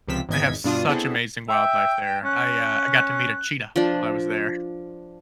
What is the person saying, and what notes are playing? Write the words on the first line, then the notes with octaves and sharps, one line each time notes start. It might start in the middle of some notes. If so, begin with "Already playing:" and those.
And they have such amazing wildlife there. I, uh, I got to meet a cheetah while I was there.
C#2 C3 F3 C4 E6 B6
G#1 E2 D#5 G#6 B6
G2 B2 D4 F4 D#6
B3 C4 D4 E4 G#4 A4
E5 G5
C#4 F#6
F3 D4